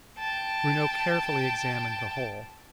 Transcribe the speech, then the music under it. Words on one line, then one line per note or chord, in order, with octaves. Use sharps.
Bruno carefully examined the hole.
G5 A5